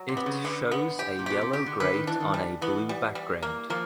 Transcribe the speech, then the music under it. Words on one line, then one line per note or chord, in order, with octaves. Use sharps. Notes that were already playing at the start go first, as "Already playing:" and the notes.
It shows a yellow grate on a blue background.
Already playing: F#3
C3
B3
C#3
D3 B3
B3
G4
A#2
B2 G4
C3
C#3 G4
D3
D3 B4
D#3
E3 D4
D#3
G3
E3 B3
G3
G3
A#3
F3 A#3